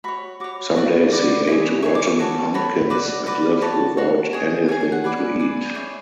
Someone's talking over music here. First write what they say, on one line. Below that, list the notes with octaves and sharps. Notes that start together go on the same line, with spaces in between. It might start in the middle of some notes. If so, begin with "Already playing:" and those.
Some days he ate rotten pumpkins and lived without anything to eat.
F#4 C#5 B5
F#4 C#5 D6
F#4 B4 D5 C#6
F#4 B4 D5 D6
E4 G#4 C#5
E4 G#4 C#5 C#6
D6
C#6
F#4 A4 C#5
F#4 A4 C#5 B5
F#4 B4 D5
F#4 B4 D5
F#4 C#5 A5
F#4 C#5
G#4 C#5
G#4 C#5 G#5
G#5
F#5
G#4 B4 D5
G#4 B4 D5
G#4 C#5 E5